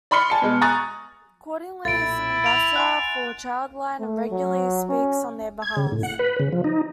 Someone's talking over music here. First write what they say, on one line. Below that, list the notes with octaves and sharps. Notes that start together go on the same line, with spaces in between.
Cordingly is an Ambassador for ChildLine and regularly speaks on their behalf.
D5 B5 C6 F6 C#7 G7
G#5 A5 C#7
B2 G#3
G#5 A#5 C#6 D#6 F#6 A6
B1 A#2 E4 A6 D7
D7 F7
F#5 G#5 C6 F#6
A3
F#3
C#4
G#6
C#3
A2
F#5
B4
C#3
F3
D#4